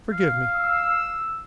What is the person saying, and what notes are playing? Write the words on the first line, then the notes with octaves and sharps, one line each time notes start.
Forgive me! ...
F5
E6